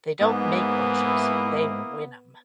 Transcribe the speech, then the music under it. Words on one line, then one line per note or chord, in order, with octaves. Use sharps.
They don't make watches, they win 'em.
G#2 E3 A#3 B3 E4 D#6